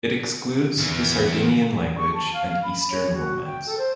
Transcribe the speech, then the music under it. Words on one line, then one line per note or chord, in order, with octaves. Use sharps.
It excludes the Sardinian language and Eastern Romance.
E2 E3
C#6
A5
F5
F5
B5
C#5
F#4
G5
A4
C5